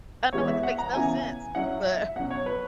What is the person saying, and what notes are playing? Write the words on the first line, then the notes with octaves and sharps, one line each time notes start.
I know it makes no sense, but
E3 G#3 B3 C#5
E5
F#5
A#5
C#3 E3 B3 E4 G#5
F#3 C#4 E4 F#5
E5
B2 F#3 C#4 F#5
C#5
B4